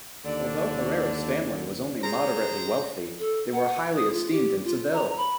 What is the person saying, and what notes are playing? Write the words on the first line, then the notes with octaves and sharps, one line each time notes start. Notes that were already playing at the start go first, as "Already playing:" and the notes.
Although Herrera's family was only moderately wealthy, they were highly esteemed in Seville.
D#2 D3 D5
G#4 C5 A#5
A4
F#5
D#6
F4
G4
F4
A#5
B5